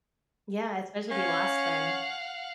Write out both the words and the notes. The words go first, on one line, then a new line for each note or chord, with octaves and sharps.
Yeah, especially if you lost them.
C#4 F5 F#5